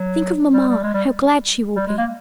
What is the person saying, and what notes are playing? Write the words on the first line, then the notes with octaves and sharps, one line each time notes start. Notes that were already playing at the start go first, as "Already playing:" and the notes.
Think of mamma, how glad she will be!
Already playing: F#3
G3
G3
G#3
G3
G3
G#3
A#3